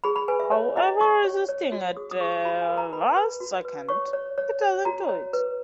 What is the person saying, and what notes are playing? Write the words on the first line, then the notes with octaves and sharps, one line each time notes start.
However, resisting at the last second, he doesn't do it.
G#4 B5
B5
B4 G#5
E5
C#5
E4 D#5
D#4 C#6
C#5
C#5
F#4
G#4 D#6
D#6
G#4 C#6
F#4 B5
G#5
A#4
A#5
B4 B5
B4
F#4
B4
C#5 C#6
C#5
C#5
C#5
F#4 A#5
C#5
B4